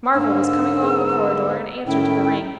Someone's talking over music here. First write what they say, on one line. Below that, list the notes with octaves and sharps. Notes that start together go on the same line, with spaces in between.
Marvel was coming along the corridor in answer to the ring.
G#2 D3 A#3 D4 E6
B3 G#4
A2 D#3 C#4 E4 G5